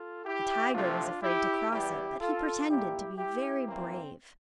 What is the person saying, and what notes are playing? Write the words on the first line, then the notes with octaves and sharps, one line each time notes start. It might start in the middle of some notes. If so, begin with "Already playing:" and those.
The tiger was afraid to cross it, but he pretended to be very brave.
Already playing: F4 A4
E4 G4
C3 F3 A3 C4 D4 F4
E4 G4
E2 E3 G3 E4 G4
F4 A4
A#2 G3 A#3 E4 G4
E4 G4
G2 E3 A#3 C4